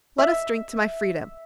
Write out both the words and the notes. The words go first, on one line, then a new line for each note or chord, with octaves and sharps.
Let us drink to my freedom.
E5